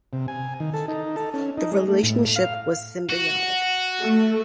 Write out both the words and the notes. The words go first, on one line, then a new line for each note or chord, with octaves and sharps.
The relationship was symbiotic.
C3
G#5
D#3
A4
D#4
A4
C#4
D#4
G#3
A3
A2
F5
F#4
A3